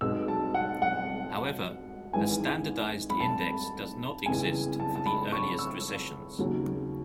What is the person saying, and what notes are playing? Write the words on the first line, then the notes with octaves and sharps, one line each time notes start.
However, a standardized index does not exist for the earliest recessions.
B1 B2 G#3 E6
A5
F#5
F#5
G#1 G#2 E3 G#3 G#5
B5
A5
E2 C#3 G#3 G#5
A5
A5
B5
C#6
E6
D#2 C#3 F#3